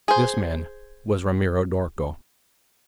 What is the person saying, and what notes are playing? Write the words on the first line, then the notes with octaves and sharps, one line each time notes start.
This man was Ramiro d'Orco.
G#4 C5